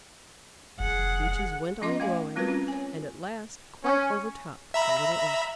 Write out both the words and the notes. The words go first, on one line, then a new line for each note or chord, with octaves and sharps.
The Beeches went on growing, and at last quite overtopped the Little Oak.
F1 G#4 F#5
F3 C#4 F4 D#5 C6 D6
A3 F5 G#5
G3 C4 F4 F#4 A#4 B4
C#4 F4
C#5 G#5
C#4
E5 A#5 B5